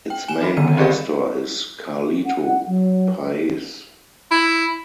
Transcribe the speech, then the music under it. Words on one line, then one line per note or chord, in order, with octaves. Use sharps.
Its main pastor is Carlito Paes.
G5
G#5 E7
D#4 F#4 B5
D3 D#3 G3 B3 D#7
C4 G4 G#4 A#4 D5 F5
F#5
F#3
E4